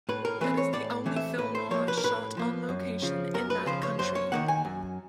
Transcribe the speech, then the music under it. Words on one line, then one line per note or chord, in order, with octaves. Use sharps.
It is the only film noir shot on location in that country.
A2 B4
A#4
E3 A3 C4 B4
C#5
A2 D5
E3 A3 C4
E5
A2 B4
C5
F3 A#3 C#5
B4
A#4
A2 B4
F3 A#3
F#2
C#3 F3
F#2 A#4
B4
C#3 F3 C5
C#5
F#2 C5
C#5
D#3 F#3 A#3 F#5
G#5
F#2